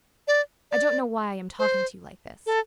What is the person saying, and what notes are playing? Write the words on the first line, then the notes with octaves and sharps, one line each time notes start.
"I don't know why I am talking to you like this."
D5
D5
C5
A4